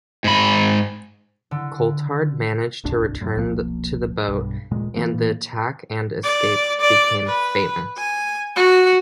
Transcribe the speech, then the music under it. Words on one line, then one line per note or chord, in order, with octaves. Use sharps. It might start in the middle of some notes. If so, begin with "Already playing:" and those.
Coulthard managed to return to the boat, and the attack and escape became famous.
G#2 B5
D3
D1 G1 C2 D4
F#2 A2
E1 C2 F3 A#3
B1 G2
D#1 A#2 G#3
A#2 E3 A#3
D5
D5
B4
G#5
F#4